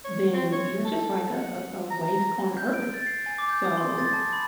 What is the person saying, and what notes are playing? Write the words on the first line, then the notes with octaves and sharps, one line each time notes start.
then you're just like a a a waste on earth. So
C#5
C4
C#5
A4
F#5
A#5
G6
D7
A6
C7
G#5
D6
G6
D#6
C6
A6
A5
B5